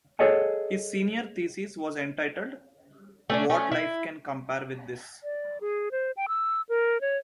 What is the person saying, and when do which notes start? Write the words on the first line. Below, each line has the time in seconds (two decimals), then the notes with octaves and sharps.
His senior thesis was entitled What Life Can Compare with This?
0.19 G#4 A4 C#5 D#5 F#5 G#5
3.30 A3 C#4 D4
3.50 A3 C#4 A4
3.72 E4
5.23 D5
5.61 G#4
5.92 C5
6.17 G5
6.28 E6
6.69 A#4
7.01 C#5